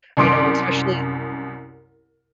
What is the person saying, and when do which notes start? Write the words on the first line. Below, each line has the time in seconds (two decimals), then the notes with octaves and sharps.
you know, especially at
0.17 C2 F#2 C6 D6 D7